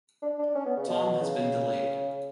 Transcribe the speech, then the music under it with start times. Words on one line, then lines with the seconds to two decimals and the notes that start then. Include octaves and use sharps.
Tom has been delayed.
0.23 D4
0.39 D4
0.56 C#4
0.66 B3
0.77 C#3
0.88 B2
1.21 C#3